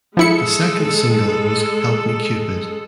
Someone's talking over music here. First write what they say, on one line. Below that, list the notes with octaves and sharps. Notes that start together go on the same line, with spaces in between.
The second single was "Help Me Cupid".
F3 G#3 E4 A4 C#7